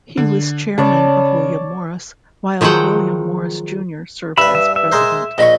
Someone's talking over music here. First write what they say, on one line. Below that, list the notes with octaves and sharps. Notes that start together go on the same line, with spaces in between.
He was Chairman of William Morris while William Morris Junior served as President.
D3
C#3 C#5 D5 A5
D#3 F3 F#3 G#3 F#5 G5
G2 B4 E5 B5
E5
E5
G#3 A#4 C5
A#1 D#5 B5 C#6